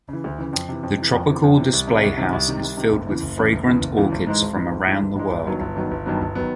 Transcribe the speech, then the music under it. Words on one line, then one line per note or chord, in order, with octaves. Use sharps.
The Tropical Display House is filled with fragrant orchids from around the world.
C#3 E3
D2
C#3 E3
F2
C3 E3
F2
C3 E3
F2
C3 E3
F2
C3 E3
C2
C3 D#3
C2
C3 D#3
C2
C3 D#3
C2
C3 D#3
F#1
E2 C#3 E3
F#1
E2 C#3 E3
F#1
E2 C#3 E3
F#1
E2 C#3 E3
G#1
G#2 E3 G#3
G#1
G#2 E3 G#3
G#1
G#2 E3 G#3
G#1
G#2 E3 G#3
G1
G2 D#3 F#3 B3
G1
G2 D#3 F#3 B3
G1
G2 D#3 F#3 B3
G1
D#3 F#3 B3